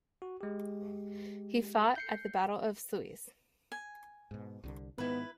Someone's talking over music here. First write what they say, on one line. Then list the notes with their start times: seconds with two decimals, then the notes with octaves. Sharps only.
He fought at the Battle of Sluys.
0.22 F#4
0.41 G#3 G4
1.96 G6 C7 C#7
3.72 G#5
4.31 G#2 B2
4.64 C2 D3
4.98 G#2 D#3 B3 E4 B4